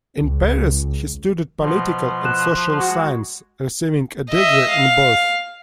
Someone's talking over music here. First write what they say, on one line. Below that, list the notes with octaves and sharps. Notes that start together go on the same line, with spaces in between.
In Paris he studied political and social science, receiving a degree in both.
C#2
B2 F3
F#6 E7
G#3 F#4
D#5 E5
F5